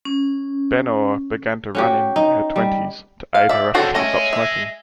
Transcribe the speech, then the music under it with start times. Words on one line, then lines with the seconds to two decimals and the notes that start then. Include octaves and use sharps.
Benöhr began to run in her twenties, to aid her efforts to stop smoking.
0.05 C#4
1.75 C#4 F#4 G4
2.16 D#4
2.56 G3
3.35 F5
3.49 D5 E5
3.74 D3 C4 C#4 F#4 A4
3.95 A3 C#4 D#5 G#5
4.33 E5